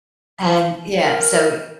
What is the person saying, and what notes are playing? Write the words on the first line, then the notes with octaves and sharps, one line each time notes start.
And yeah, so
A#4